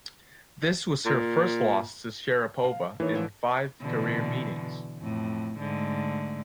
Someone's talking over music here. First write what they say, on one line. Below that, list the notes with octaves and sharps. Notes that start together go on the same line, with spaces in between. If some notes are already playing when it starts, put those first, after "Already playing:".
This was her first loss to Sharapova in five career meetings.
A#2
F5
D#3 E3 A#3 G#4 C#5
D3 F3 D4
B2 D3 E3
F2 A2
G#2 D3 A3